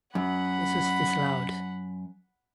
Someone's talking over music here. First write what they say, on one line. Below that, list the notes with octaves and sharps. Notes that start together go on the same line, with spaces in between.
This was disallowed.
F#2 F#5 B5